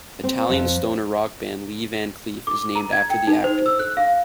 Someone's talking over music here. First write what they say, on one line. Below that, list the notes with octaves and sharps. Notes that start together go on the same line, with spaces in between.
Italian stoner rock band Lee Van Cleef, is named after the actor.
C4
F2
D6
A#5
G#6
G5
D#4
C5
E6
F#6
F5